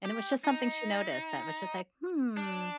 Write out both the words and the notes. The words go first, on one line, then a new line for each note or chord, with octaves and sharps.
and it was just something she noticed that was just like, "Hmm,"
G4
D#4
D4